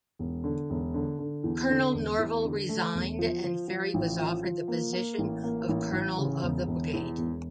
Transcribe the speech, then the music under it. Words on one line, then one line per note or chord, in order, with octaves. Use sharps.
Colonel Norvell resigned and Ferry was offered the position of Colonel of the Brigade.
E1
D3
E1
D3
D3
E2
D3
E1
E2
D3
A3
E1
F3
F3
F3
A1
F3
F3
A#3
A#3
A1
A#3
A1
A1
C#3
E1
E1
E2
E1